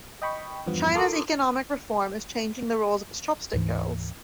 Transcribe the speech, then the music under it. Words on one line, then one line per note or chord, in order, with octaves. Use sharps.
China's economic reform is changing the role of its chopstick girls.
D#5 G5 B5 C#6
E2 G2 F3 B3
F4 A4 A#4 C6 D6 D#6
D2 G#2 E3